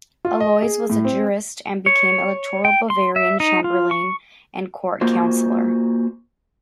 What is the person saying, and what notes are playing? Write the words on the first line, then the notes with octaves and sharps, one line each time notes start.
Aloys was a jurist and became electoral Bavarian chamberlain and court councilor.
F4
D#5
G#4
A2
C4
C#5
G5
C6
E5
D#4
F4
C#6
A#3 F4 F#4 C5